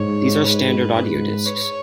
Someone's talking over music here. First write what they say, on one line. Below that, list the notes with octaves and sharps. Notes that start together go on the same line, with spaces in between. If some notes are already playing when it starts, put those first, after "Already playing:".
These are standard audio discs.
Already playing: G#2 C#5
B4
G#2 B4
C#5